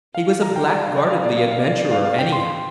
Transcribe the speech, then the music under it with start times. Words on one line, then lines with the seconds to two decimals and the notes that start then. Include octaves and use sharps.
He was a blackguardly adventurer, anyhow.
0.15 F5
0.28 F5
0.42 A#5
0.56 G5
0.69 D5
0.83 F5
0.97 D5
1.10 F5
1.24 D5
1.37 F5
1.51 F5
1.60 D5
1.64 F5
1.78 D5
1.92 F5
2.05 F5
2.19 G5
2.32 C6